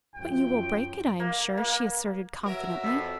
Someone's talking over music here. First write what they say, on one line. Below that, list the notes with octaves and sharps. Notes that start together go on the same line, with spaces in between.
"But you will break it, I am sure," she asserted confidently.
F#2 F3 G5
A#3
A#3
F#3 F#4 A#4 E5
F2 E6 B6